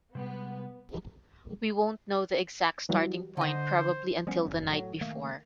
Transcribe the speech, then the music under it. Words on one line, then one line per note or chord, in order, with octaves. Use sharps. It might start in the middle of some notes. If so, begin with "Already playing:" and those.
We won't know the exact starting point probably until the night before.
C3 G3 G#3 B3
E3 F#3 G3
D3 C5 D#5
F3 G3 B3 C#4
F#1 E2
A2 F#3
D#3 A3 A#3